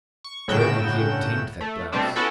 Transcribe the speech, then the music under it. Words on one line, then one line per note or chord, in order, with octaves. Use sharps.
Where had he obtained that blouse?
C#6
G1 A2 C#3 F#4 G5 E7
A3
B2 G3 A3 C4 D4
B3 C#4 E4 F#4 A4